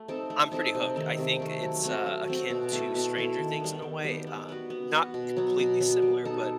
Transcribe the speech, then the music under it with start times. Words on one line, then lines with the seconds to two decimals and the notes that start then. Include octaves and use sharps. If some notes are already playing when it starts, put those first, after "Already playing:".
I'm pretty hooked. I think it's, uh, akin to Stranger Things in a way, um, not completely similar, but,
Already playing: A3
0.08 C4 D#4 A4
0.30 A3
0.52 C4 D#4 A4
0.75 C3
0.96 D#3 A3
1.18 C3
1.40 D#3 A3
1.62 F#3
1.84 A3 C4 F#4
2.06 F#3
2.28 A3 C4 F#4
2.50 B2
2.72 A3 E4 A4
2.95 B2
3.16 A3 E4 A4
3.39 D#3
3.60 G3 B3
3.82 D#3
4.04 G3 B3
4.27 B3
4.49 F#4 B4
4.70 B3
4.92 F#4 B4
5.14 B2
5.36 F#3 B3
5.59 B2
5.81 F#3 B3
6.02 G3
6.25 D#4 A4